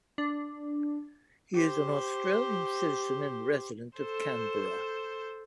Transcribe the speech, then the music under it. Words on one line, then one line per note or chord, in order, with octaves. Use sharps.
He is an Australian citizen and resident of Canberra.
D4
G4 C5
A4 C5